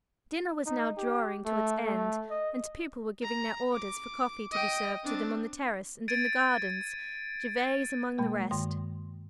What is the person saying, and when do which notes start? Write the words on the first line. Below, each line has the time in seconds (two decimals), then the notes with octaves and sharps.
Dinner was now drawing to its end, and people were giving their orders for coffee to be served to them on the terrace and in the gardens, Gervase among the rest.
0.66 D#4
0.98 G4
1.46 A3
1.85 A3
2.31 D#5
3.22 A#5
3.73 D6
4.52 D#5 G5
5.04 C4 D4
6.08 G#6 A6 D7 D#7
8.18 B2 G#3 A#3
8.51 G2 D#3 C6